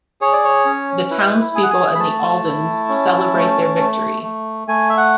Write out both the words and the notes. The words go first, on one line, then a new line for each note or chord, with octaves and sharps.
The townspeople and the Aldens celebrate their victory.
G#4 C#5
D5
C#5
C#4
E4 B4
G#4 G#5
F#5
G#5
B5
A3 A5
E4
C#4
A3
A3
A3
A3 G#5
E5
F#5